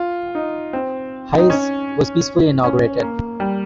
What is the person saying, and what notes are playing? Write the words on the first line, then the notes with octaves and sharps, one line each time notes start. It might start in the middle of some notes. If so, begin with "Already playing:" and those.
Hayes was peacefully inaugurated.
Already playing: F4
D#4
C4
D#4
C#4
C#4
A#3
G3